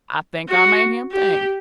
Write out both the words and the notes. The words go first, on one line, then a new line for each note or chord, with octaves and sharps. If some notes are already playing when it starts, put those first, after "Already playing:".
I think I made him think.
F#4
G4